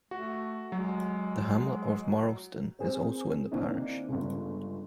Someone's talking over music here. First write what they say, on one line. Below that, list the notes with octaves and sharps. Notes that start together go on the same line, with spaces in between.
The hamlet of Marlston is also in the parish.
A3 F#4
F#3 G#3
C4 G#4 A#4 C5
D#3 E3 A#3 C4 D4 D#4
G1 C#2